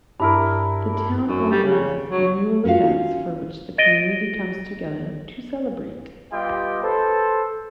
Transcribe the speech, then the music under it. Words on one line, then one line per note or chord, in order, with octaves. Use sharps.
The town organises annual events for which the community comes together to celebrate.
G2 D4 E4 A#4
F#2
G3
C#3
F#3
C#4 F4 F#4 F5
D#5 A6 A#6 D7 D#7 G7
G3 B3 F4 G4 D#5 G5
A4 B4 C5